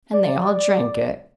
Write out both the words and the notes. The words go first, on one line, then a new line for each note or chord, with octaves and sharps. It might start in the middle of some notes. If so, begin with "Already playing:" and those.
And they all drank it.
D5